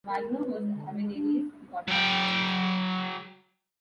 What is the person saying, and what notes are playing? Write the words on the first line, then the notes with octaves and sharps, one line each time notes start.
Wagner was Avenarius' godfather.
A#4
B4
G#3
D3
G#3
D4
F#3 G5